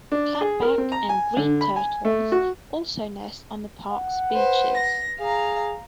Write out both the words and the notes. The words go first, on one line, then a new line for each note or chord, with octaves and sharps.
Flatback and green turtles also nest on the park's beaches.
D4
G#4
A#4
C4
A#5
G#5
D3
B5
G#5
A3
F#4
F#5
B4 C5
A#6
G#4 F5 A#5